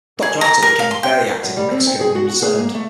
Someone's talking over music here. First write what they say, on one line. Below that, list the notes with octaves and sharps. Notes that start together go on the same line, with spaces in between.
Doctor Atl became very active in Mexico when he returned.
G#4
A#5
A#4
F5
C6
G5
F#2
G3
C4
G5
G#4
F#4
F#4
G#4
A#3
A3